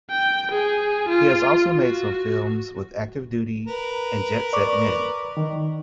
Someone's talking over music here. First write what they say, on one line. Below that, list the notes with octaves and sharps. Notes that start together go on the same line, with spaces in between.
He has also made some films with Active Duty and Jet Set Men.
G5
G#4
F4
F#4
A#4 B4
D5 C#6 D6
D#3